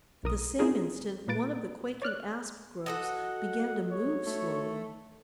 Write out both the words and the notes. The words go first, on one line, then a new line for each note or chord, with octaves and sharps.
At the same instant one of the quaking asp groves began to move slowly.
B1 A#4 D#6
C4 F4 G#4 A#4
A#2 A#3 B4 A6 D7
C#5 D5 F6 F#6
F#4 A4 D#5 F#5
C#5
A3